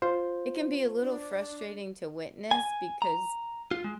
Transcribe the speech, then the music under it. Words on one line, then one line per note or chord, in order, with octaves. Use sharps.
it can be a little frustrating to witness because,
F4 C5
D4
G#5
A#5
F4
G#3